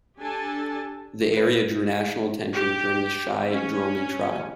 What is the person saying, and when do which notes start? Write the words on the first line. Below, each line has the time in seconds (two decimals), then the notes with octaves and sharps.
The area drew national attention during the Shai Dromi trial.
0.18 D4 G4 A4 G#5 A5
1.37 B4
2.52 G4
3.50 C#4